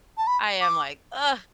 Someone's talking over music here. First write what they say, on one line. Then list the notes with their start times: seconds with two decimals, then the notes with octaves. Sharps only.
I am like, "Ugh."
0.18 A5
0.27 B5
0.61 D6